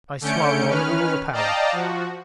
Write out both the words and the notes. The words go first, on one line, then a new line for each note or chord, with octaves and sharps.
I swung on all the power.
D3 A3 C#4 G6 C#7 D7
D#3 C#4 B4 F6
D5 D#5 F5 G5 A5 A#5
F3 F#4